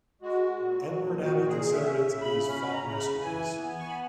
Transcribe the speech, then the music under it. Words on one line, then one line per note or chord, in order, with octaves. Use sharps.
Edward Abbey considered it to be his fat masterpiece.
G#3 F#4
A#2
A#2
F#4
A#2
G#4
C#4 E5
E5
C#3
B5
C#4 B5
A#5
C#3
B5
E3 G#5
B3
C#6
B5